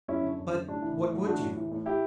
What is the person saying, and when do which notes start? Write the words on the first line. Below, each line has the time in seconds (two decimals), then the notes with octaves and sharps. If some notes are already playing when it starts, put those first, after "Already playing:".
But what would you?
0.08 F#2 C#4 E4
0.23 D3
0.39 F#2
0.53 D3
0.68 A2 D4
0.82 E3
0.97 A2
1.13 A2
1.26 E3 D4 F#4
1.41 A2
1.57 E3
1.71 A2
1.86 E4 G4